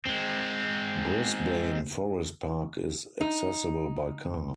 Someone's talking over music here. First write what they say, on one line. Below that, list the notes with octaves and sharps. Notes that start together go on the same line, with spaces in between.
Brisbane Forest Park is accessible by car.
G#3 C4
D#4